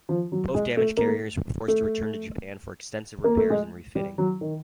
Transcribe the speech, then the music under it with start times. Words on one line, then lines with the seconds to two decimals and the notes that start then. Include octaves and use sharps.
Both damaged carriers were forced to return to Japan for extensive repairs and refitting.
0.09 F3
0.32 F#3
0.55 G#3
0.77 A3
0.97 A#3
1.07 A3
1.68 A3
3.24 A#3
3.37 A3
3.50 G#3
3.95 G3
4.18 F#3
4.41 D#3